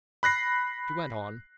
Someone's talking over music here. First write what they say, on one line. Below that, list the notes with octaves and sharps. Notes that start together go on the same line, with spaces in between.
She went on.
B5 F#6 A#6 C7